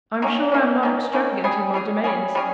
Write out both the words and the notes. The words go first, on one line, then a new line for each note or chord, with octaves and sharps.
I am sure I am not extravagant in my demands.
D#3 A#3 C#4
D#3 A#3 C#4
D#3 A#3 C#4
D#3 A#3 C#4
G3 C#4 G#4
G3 C#4 G#4
G3 C#4 G#4
G3 C#4 G#4